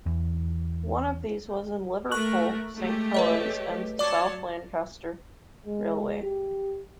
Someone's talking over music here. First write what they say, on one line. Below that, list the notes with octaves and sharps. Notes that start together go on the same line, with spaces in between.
One of these was the Liverpool, Saint Helens and South Lancashire Railway.
E2
A3 A#4 C#6 F#6 F#7
G#3 A3 G4
B4 C#5 D#5
F#3 C#5 D5 A5 D6
G#3
G4